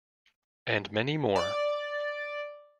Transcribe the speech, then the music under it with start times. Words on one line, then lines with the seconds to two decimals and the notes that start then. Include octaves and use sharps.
And many more.
1.36 D5